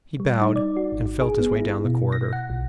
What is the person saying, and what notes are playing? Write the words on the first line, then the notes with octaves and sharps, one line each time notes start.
He bowed and felt his way down the corridor.
G3
D#4
D5
F#4
G#1
G#4
B3
E4
B2
A#6
F#5
B1